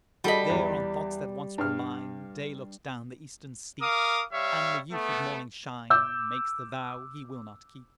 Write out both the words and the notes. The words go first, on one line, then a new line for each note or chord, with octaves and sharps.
There, on thoughts that once were mine, Day looks down the eastern steep, And the youth at morning shine Makes the vow he will not keep.
G3 F#4 A4 D#5 B5
E2
G2 F6
A#4 F5 D6 D#6
G3 C#5 E5 F5
A3 B3
D6 E6 G6